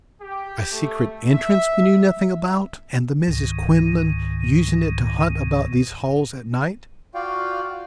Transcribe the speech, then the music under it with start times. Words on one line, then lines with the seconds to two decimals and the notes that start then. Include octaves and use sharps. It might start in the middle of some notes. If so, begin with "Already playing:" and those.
A secret entrance we knew nothing about and the Misses Quinlan using it to hunt about these halls at night!
0.22 G4
0.72 A3
1.32 E5
3.27 C#2 G#2 D#3
7.15 F4 F#4 D5 F5 G5